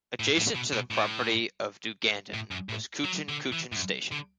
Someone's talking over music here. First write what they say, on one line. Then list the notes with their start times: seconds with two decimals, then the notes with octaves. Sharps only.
Adjacent to the property of Dugandan was Coochin Coochin station.
0.20 A2
0.37 A2
0.55 B2
0.73 B2
0.91 A2
2.34 A2
2.51 F#2
2.69 A2
3.04 F#3
3.29 D3
3.52 E3
3.72 A2
3.76 F#2
4.12 D3